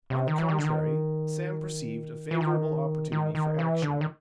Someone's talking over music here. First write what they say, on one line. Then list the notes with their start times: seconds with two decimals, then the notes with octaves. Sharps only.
On the contrary, Sam perceived a favourable opportunity for action.
0.10 C3
0.28 D#3
0.38 E3
0.49 D#3
0.59 D3
0.64 D#3
2.31 E3
2.41 D#3
3.12 D#3
3.35 D#3
3.59 E3
3.82 D3
4.01 D#3